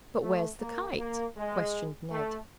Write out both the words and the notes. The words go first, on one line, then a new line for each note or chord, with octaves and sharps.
"But where's the kite?" questioned Ned.
A3
A#3
A#3
G#3
A3